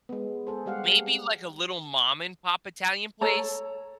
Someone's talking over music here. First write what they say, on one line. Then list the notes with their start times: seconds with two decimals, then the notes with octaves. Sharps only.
maybe, like, a little mom and pop Italian place
0.09 G#3 B3
0.47 G#4 A4 C5
0.66 G3 G#3 G4 F5 F#5
3.21 A4 C#5 A5 A#5